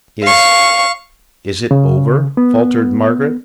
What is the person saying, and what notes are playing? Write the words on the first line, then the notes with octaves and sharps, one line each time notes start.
"Is--is it over?" faltered Margaret.
F5 C#6
C#3
B3